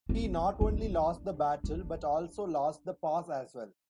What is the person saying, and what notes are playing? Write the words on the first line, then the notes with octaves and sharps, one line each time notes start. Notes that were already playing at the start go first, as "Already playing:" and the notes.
He not only lost the battle but also lost the pass as well.
C4
D4
D4